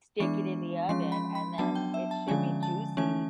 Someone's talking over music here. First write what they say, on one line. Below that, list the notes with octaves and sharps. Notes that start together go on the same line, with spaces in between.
stick it in the oven and then it should be juicy
E3 G#3 B3 D4 C#6
F3 G#3 C#4 C6
B5
B5
F#3 B3 D4 A5
G5
E5
A5
D3 F3 G#3 C#4 G#5
A5
E3 A3 C#4 G#5